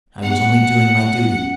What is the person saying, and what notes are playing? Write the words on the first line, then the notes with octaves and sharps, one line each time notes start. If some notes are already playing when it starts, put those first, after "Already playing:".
I was only doing my duty.
B3 F#5
A3
B3
C#4